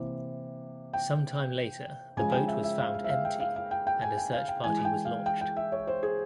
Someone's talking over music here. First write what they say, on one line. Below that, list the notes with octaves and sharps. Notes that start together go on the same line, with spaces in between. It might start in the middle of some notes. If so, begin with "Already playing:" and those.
Sometime later, the boat was found empty, and a search party was launched.
Already playing: C3 E3 A#3
G5
C#3 F3 G#3 G#5
G5
E5
E5
F5
F5
E5
F5
G5
F5
F5
G5
G5
G#5
G5
F5
G5
E3 G#3 G#5
G5
F5
G5
G5
E5
C#5
C5
G#4